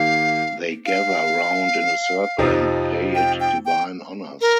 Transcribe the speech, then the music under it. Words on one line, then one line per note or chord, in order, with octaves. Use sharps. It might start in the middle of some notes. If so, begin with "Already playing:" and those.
They gather round in a circle and pay it divine honors.
Already playing: D#3 A#3 G4 A#4 F5
F5
F2 C3 F3 D#4
G5
G5
G5
A#4